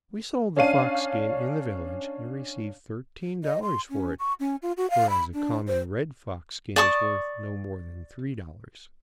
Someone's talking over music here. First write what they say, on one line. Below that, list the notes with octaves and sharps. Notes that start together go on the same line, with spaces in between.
We sold the fox-skin in the village, and received thirteen dollars for it, whereas a common red fox-skin is worth no more than three dollars.
C#4 D4 F5 D#7
D#5
C6
C#4
C#6
C#4
F4
F#4
F5
B5
D4
C5
D5 A5 C#6 D#6